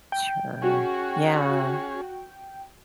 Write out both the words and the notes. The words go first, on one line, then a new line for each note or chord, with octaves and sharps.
Sure, yeah.
G5
C#4 F#4 G#4